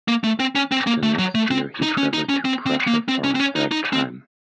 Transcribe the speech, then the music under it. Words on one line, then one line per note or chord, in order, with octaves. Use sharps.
The next year he travelled to Prussia for a third time.
A#3
A3
C4
C#4
C4
A#3
A3
F#3
A3
C4
D#4
C#4
D#4
C#4
C4
C4
A#3
C4
C#4
C4
C#4
D#4
D#4
C4